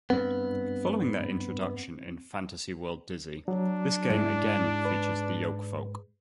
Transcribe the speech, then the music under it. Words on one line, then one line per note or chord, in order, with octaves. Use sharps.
Following their introduction in Fantasy World Dizzy, this game again features the Yolkfolk.
G2 B3 C4
F#3 D4
G#2 G#3 E4
B4